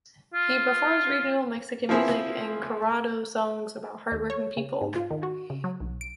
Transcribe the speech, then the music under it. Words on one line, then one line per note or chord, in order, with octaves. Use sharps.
He performs regional Mexican music and corrido songs about hardworking people.
F4
F3 A#3 C4 E4 G#4
D#2
C#5
C#3
G#2
F4
D#3
F#4
C#3
F#3
B1
D7